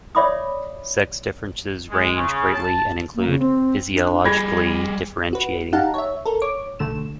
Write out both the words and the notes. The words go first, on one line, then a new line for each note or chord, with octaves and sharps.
Sex differences range greatly and include physiologically differentiating.
C#5 D5 E5 B5 D6 D#6
G#3
C#3
A5
A#3
C#3
C4
D4
G3 G#4 B5 G#6 A#6
F#4 B4
D#4 G4 F5 F#5 A5 A#5
C#5 E5
A4 A#4
C#5 D6
B1 D3 A3 E7